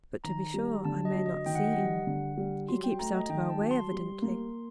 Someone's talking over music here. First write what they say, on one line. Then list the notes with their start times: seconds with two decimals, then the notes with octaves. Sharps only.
But, to be sure, I may not see him; he keeps out of our way evidently.
0.24 D#3 A#5
0.54 G3
0.85 D3 A5
1.05 D#5
1.15 F#3
1.26 D#5
1.46 D#3 G5
1.55 F#5
1.64 D#5
1.73 G3 F#5
2.07 D3
2.37 G3
2.69 F#3 C6
2.84 G5
2.99 A3 A#5
3.14 D#5
3.29 D#3 G5
3.50 A5
3.61 F#3
3.71 C6
3.92 G3
4.22 A#3